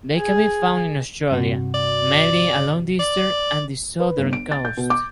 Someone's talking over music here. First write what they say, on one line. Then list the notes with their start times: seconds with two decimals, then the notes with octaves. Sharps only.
They can be found in Australia, mainly along the eastern and southern coasts.
0.17 G#4
1.31 G2 C3 F#4
1.75 D5
2.99 D5
4.00 B4
4.18 G1
4.33 D7
4.52 A6
4.65 G6
4.77 B2
4.90 D6